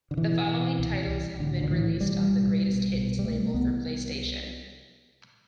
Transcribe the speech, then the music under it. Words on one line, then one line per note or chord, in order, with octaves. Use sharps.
The following titles have been released on the Greatest Hits label for PlayStation.
D3
B2 E3
B2
C2
C2
A2 D3
D3
A2 E3
B1 G3
B1
B2
B2
G3
C2 A3
C2 B3